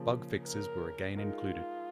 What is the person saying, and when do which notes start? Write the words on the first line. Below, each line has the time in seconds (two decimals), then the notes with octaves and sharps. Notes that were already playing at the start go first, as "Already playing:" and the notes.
Bug fixes were again included.
Already playing: C#3 F3 A#3
0.43 A#4
1.17 G#3 D#4 F4 A#4